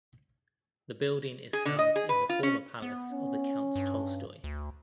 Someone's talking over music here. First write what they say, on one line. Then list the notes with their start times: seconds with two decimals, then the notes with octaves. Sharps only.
The building is housed in the former palace of the Counts Tolstoy.
1.53 G#4
1.65 D3
1.79 D#5
1.96 G#4
2.09 B4
2.29 F4
2.43 C#4
2.82 B3
3.12 C#4
3.75 G2
4.44 D2